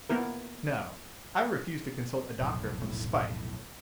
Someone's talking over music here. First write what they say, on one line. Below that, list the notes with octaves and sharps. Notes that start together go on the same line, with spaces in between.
No, I refuse to consult a doctor from spite.
A#3 B3 E4 A#4
F1 B1 A2